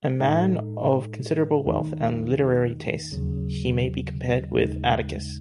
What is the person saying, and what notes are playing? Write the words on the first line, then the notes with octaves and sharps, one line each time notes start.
A man of considerable wealth and literary tastes, he may be compared with Atticus.
A2 G#3 D#4 A4
E2 D#3 A3 D#4
D#2 C#3 F#3
D#2 C#3 G#3 D#4